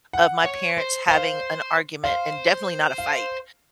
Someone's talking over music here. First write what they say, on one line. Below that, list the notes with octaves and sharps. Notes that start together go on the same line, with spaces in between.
of my parents having an argument, and definitely not a fight.
F#5
C#5
C5
C5 F5
C5 F5
F5